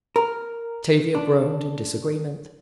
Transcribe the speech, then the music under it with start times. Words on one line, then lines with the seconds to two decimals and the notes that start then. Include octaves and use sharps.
Tavia groaned in disagreement.
0.16 A#4
1.15 D4